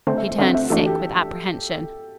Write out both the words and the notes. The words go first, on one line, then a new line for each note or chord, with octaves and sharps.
She turned sick with apprehension.
D3 A3 C4 C5
E5
E5
D3 A3 C4 F#5
E5
E3 A3 D4 F#4 A4
G4